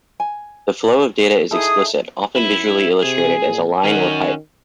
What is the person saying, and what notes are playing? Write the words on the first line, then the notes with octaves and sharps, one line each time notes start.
The flow of data is explicit, often visually illustrated as a line or pipe.
G#5
D#4 E4 G#4 A4 D#6
F#2 E4
C3 G#4
A#2
D#3 C#4 F#4